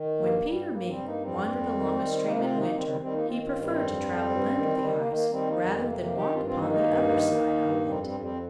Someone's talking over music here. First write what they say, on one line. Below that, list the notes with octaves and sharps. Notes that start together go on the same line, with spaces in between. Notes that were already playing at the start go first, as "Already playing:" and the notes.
When Peter Mink wandered along a stream in winter he preferred to travel under the ice, rather than walk upon the upper side of it.
Already playing: D#3
G2 A#3
G2 G3
G2 A#3
G3 C4
G2
A#3 D#4
F2 G3 C4
F2
D#3
D#3
C4
C3 A#3 D#4
D#4
C4 F4
D#3
A#3 D#4
D#3 G3 C4
G3 C4
D#3 G3 C4
A#3 D#4
D#3 C4 F4
C4 F4
G2
G3 C4
F2
F2
G2
D#3
D#3 G3
A#3
D#3
A#3
D#3 G3 C4
A#3 D#4
F2
G3 C4
C3 A#3
A#3
D#3
D#4 G4
G2 C4 F4
C4 F4
D#3 A#3 D#4
A#3 D#4
G2
D#3
D#3
G2
F2 G3 C4
G3 C4
F2
G3 C4